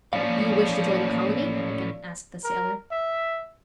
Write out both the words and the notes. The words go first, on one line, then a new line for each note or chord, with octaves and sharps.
"You wish to join the colony?" again asked the sailor.
A2 F3 A#3 C#4 D5 F5
A#4
E5